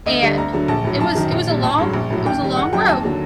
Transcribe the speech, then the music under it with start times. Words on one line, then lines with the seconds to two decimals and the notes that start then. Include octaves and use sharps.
And it was it was a long it was a long road,
0.06 D2 D#5
0.22 D3 G3
0.37 D2 A#5
0.53 D3 F#3
0.68 A#1 A5
0.84 A2 F#3
1.00 F#2 A5
1.15 D#3 F#3
1.32 A#1
1.47 A#2 G3
1.63 A1 A5
1.78 G2 F#3
1.94 A#1
2.10 A2 F#3
2.25 D#2 G5
2.41 D#3 G3
2.56 F#1 F#5
2.73 F#2 F#3 G5
2.88 D#2 A5
3.03 D3 F#3